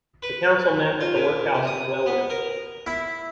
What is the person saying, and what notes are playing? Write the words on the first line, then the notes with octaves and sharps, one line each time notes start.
The council met at the workhouse in Welwyn.
B4
F4
A#2
C3
D#6
B3
A#4
E4